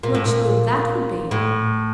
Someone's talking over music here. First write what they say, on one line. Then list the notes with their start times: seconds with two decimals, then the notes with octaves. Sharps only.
"Much good that would be!"
0.03 A#2
0.15 A2
0.25 A#2
1.31 A2